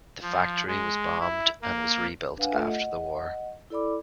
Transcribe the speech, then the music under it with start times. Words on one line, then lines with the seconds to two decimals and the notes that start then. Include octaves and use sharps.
The factory was bombed, and was rebuilt after the war.
0.22 F3
0.67 G#3
1.20 E4
1.62 A#3
2.38 D4 B4 F5 F#5 G#5
2.51 A3 F4 A4 E5
2.67 D#5 F#5
3.70 E4 A4 D5 B5 D6